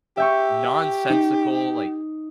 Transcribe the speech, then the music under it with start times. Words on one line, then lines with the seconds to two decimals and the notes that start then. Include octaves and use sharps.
nonsensical, like
0.17 G4 E5 G5 C#6
1.10 D#4